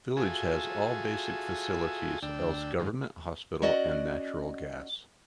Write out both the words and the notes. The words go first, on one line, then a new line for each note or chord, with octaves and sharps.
Village has all basic facilities else government hospital and natural gas.
F4 F#4 G#4 A4 E5 G#5
D2 D4 G5 E6
G2 D#3 F3 G#3
C#4 F#4 D5 D#5 F#5